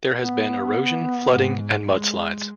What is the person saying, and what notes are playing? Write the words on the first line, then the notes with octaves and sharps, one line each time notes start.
There has been erosion, flooding and mudslides.
B3
G#2
G#3